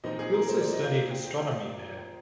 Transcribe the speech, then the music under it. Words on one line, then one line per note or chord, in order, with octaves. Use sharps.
He also studied astronomy there.
A#2 F3 C4 D#4 D#5
G#4
A#4
C5
D5
D#5
F5
G5
G5
F5
D5